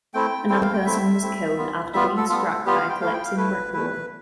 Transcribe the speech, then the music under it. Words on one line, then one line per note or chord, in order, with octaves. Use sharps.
Another person was killed after being struck by a collapsing brick wall.
A3 C4 E4 G5
A3 C4 E4 G5
F5
G5
A3 C4 E4 E5
A3 C4 E4
G3 B3 F4
G3 B3 F4 E5
A4
G3 B3 F4 A4
G3 B3 F4 G4
F5
G5
A3 E4 F5
G5
F5
A3 E4 B4
A3 E4 B4